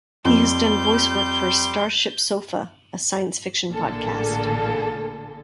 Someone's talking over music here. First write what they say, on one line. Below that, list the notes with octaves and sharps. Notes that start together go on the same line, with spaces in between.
He has done voice work for StarShipSofa, a science-fiction podcast.
F2 G3 C6 D6 G6
A1 A#2 D3 A#3 G#4 A4